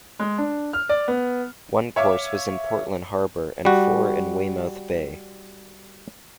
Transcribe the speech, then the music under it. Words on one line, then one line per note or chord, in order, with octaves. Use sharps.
One course was in Portland Harbour and four in Weymouth Bay.
G#3
D4
F6
D5
B3
C#5 E5 F5 D6
G3 F#4